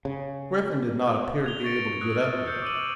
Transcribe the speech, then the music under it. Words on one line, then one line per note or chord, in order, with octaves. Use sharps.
But Griffin did not appear to be able to get up yet.
C#3
G#6 F7 G7
C#6 A6 A#6 C#7 D7
D#6 E6 F#6 D7
F6
E6 F#6 G6 C7 C#7
D6 F6 D#7 F#7